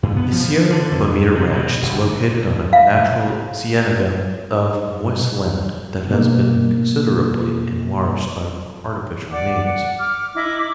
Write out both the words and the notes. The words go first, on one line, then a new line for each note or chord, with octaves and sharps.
The Sierra Bonita ranch is located on a natural cienega of moist land that has been considerably enlarged by artificial means.
G2
B3
F3
D3
F2
C3
B2
G1
E5 F5
B2 A#3
D5 F#5 D6
F#5
D6 F6
D#4 E4 D6